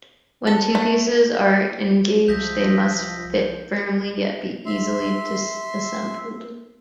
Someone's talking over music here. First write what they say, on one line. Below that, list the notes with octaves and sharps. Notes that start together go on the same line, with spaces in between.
When two pieces are engaged they must fit firmly, yet be easily disassembled.
A4
A3
C2 F3 D#5 E5 G6 A#6
E5 C6